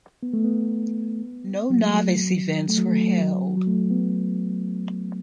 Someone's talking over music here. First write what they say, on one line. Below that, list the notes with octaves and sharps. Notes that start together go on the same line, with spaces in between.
No novice events were held.
B3
A3
B3
F#3
A3
F#3
A3
F#3
A3
F#3
F#3
A3
B3